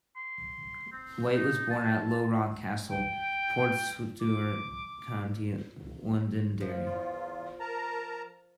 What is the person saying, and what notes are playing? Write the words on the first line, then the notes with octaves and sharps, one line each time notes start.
White was born at Low Rock Castle, Portstewart, County Londonderry.
C6
C4
D#4
A5
G5
D6
F3
E2 F4
A#4 A5 A#5